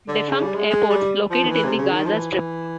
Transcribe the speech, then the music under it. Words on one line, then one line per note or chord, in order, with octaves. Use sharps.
Defunct airports located in the Gaza strip.
D3
C#3
G3
G#3
G#3
G3
F3
D#3
E3
C3
C#3
D#3
F3
E3
E3